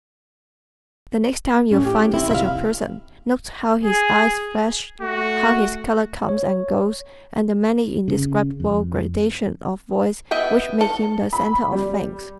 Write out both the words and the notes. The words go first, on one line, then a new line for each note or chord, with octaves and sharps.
The next time you find such a person note how his eyes flash, how his color comes and goes and the many indescribable gradations of voice which make him the center of things.
A2 C#4
G4
C4 E4
C3 E5 F5
G#4
A3 F#4
C#5
C#3
F2
B3 D#5 E5 G5
A4
B5
G3